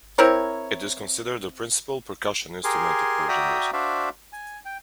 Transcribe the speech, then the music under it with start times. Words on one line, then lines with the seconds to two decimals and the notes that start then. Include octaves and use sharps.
It is considered the principal percussion instrument of Persian music.
0.18 C4 E4 A#4 C#5
2.64 G4 G#4 A#4 G#5 C6
3.28 F#4 D5 E5 G5 A#5 D#6
3.73 D4 F#4 C5 D5 E5 F5
4.33 G#5
4.65 G5